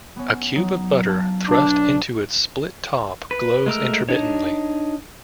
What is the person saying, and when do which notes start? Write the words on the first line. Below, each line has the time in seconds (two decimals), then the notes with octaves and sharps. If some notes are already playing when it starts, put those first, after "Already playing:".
A cube of butter thrust into its split top glows intermittently.
0.16 B3 C#4
0.56 F#3 D#4
1.07 F5 A5 F6
1.49 B1 D4
3.31 B4
3.66 G#3 A3 A#4 E6
4.09 D4 D#4 C#5